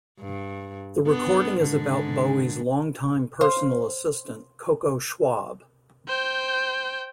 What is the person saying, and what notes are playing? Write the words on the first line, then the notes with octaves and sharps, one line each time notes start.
The recording is about Bowie's long-time personal assistant, Coco Schwab.
G2
B3 D4
G#2 D3
C5 F5
C5 G5